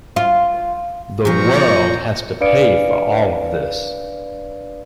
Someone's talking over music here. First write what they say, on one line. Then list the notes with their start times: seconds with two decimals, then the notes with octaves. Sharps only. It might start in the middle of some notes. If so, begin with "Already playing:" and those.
The world has to pay for all of this.
0.16 F4
1.25 A#2 F3 C4 A#5 C#6
2.40 D4 B4 D5 F5 C#7 D7